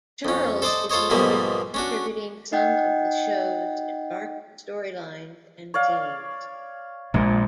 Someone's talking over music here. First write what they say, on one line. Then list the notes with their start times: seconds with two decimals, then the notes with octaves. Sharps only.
Charles is noted for contributing some of the show's darker storylines and scenes.
0.25 F2 C#4
0.62 A4 C5 D5 D#5 A5
0.90 F4 A4 C5 C#5 D#5
1.10 B1 G#2 F3 G3 A3 A#3
1.74 C#4 D4 F#4
2.52 D#4 D#5 F#5 G5
5.74 C#5 D5 F5
7.14 A#1 A#2 D#3 G#3